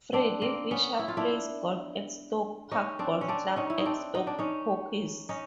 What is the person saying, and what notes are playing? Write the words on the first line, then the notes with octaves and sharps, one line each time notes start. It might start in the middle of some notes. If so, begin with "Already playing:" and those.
Freddie Fisher plays golf at Stoke Park Golf Club at Stoke Poges.
C4 D4
A#3 C4
B3 C#4
E4
F4
D4 E4
C#4 D#4
C4 D4
C#4
C4 D4
C#4 D#4
E4
D#4
C4 D4
D#4
D4
C#4 D#4
C#4 D#4